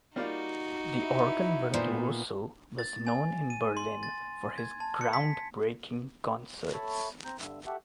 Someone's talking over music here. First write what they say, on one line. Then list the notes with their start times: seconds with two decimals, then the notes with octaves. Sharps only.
The organ virtuoso was known in Berlin for his "groundbreaking" concerts.
0.16 G3 A#3 D#4 F4 F#4
1.01 E4
1.74 A#2 B3 D4 C5 D5
2.79 A6
3.07 G#5
3.50 D#7
3.77 C6
4.03 A6
4.58 G#6
4.80 A5
5.01 C#7
5.13 B6
6.74 A4 C#5 E5 A5 B5
7.25 C4 A#5 G6
7.40 G2 D3 E5
7.66 F#4 G4 A4 E5 F#5